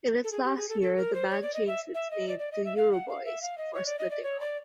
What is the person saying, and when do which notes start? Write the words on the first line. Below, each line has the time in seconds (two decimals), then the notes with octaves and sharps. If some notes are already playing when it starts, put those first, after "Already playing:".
In its last year the band changed its name to Euroboys before splitting up.
0.24 A4
0.32 G#4
0.44 G4
0.57 G#4
0.69 A4
0.82 A4
0.97 A#4
1.14 C5
1.30 C#5
1.42 D5
1.54 D#5
1.67 E5
1.94 E5
2.11 D#5
2.28 D5
2.39 D5
2.52 D#5
2.65 E5
2.77 F5
2.92 F#5
3.09 F5
3.25 E5
3.42 F5
3.58 D#5
3.74 C#5
3.86 D5
3.99 D#5
4.10 D5
4.23 C#5
4.40 D5